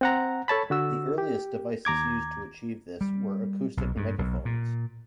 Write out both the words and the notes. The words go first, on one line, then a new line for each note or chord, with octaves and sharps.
The earliest devices used to achieve this were acoustic megaphones.
C4 F#5 A#5
A4 C#5 A5 B5
D3 F#4 E6
G4
D#2 A#5 D6 G#6
G3
B1
G2
B1
A#2